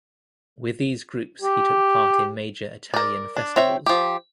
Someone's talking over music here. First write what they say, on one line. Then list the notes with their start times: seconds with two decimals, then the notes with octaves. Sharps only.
With these groups he took part in major Italian festivals.
1.42 G4
2.94 A#4 D5
3.36 D4
3.56 C4 C#5 E5 G5
3.86 F3 G4